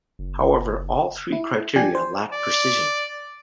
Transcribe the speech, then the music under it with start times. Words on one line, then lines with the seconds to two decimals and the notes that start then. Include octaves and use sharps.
However, all of three criteria lack precision.
0.19 F#1
1.32 E4
1.76 F3 D4 G4 G#5
1.95 C5
2.34 D5